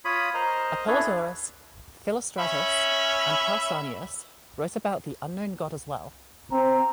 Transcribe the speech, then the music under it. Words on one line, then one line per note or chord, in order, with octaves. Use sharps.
Apollodorus, Philostratus and Pausanias wrote about the Unknown God as well.
F4 C#5 B5 D#6
A#4 C5 D#5 A#5
D4 E4 G#4 A4 B4 C#5
C#4 E5 B5
C4 A#5